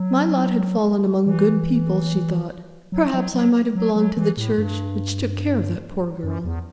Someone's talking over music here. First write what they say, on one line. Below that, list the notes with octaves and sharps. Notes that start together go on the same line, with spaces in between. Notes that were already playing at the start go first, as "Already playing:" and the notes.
"If my lot had fallen among good people," she thought, "perhaps I might have belonged to the Church which took care of that poor girl."
Already playing: F#3
E3
F#3
F#3
F#3
F#3
F#3
E3
A2
G2
F#2
E2